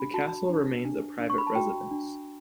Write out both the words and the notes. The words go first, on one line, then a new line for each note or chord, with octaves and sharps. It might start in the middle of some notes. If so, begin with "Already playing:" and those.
The castle remains a private residence.
Already playing: D4 B5
F#4 A5
D4
D4
D4
C#6
B5
A5
F#4 G5
D4